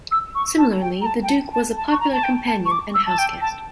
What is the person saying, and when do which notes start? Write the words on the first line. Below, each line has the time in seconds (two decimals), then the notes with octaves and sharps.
Similarly the Duke was a popular companion and house guest.
0.12 E6
0.35 C#6
0.58 A5
0.81 G5
1.01 A#5
1.06 A5
1.23 G5
1.29 A5
1.53 A5
1.77 A5
1.92 C#6
2.00 A#5
2.13 A5
2.24 G5
2.47 A5
2.66 C#6
2.71 D6
2.94 E6
3.06 A5
3.18 G5
3.41 A5